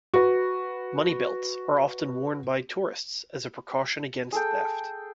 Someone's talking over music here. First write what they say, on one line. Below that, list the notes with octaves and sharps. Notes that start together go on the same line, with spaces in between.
Money belts are often worn by tourists as a precaution against theft.
F#4 B4
G#4 A4 G5